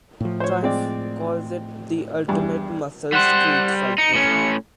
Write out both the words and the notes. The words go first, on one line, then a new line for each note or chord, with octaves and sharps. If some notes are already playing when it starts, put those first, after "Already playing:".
Triumph calls it "the ultimate muscle streetfighter".
A2 F3
C5 C#5
G#3 C4 D5
E2 G2
G3 C5 F#5
D#4 C#7
A2 C#4